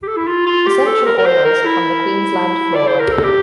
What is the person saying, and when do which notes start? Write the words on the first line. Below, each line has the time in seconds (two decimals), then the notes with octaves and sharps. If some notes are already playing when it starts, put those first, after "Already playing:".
Essential oils from the Queensland flora.
0.03 G4
0.07 A4
0.17 E4
0.27 F4
0.46 F4
0.66 G4
0.86 A4
1.06 A#4
1.18 A#4
1.26 C5
1.45 A#4
1.65 E4
2.75 D5
2.88 C5
3.00 A#4
3.12 A4
3.24 G4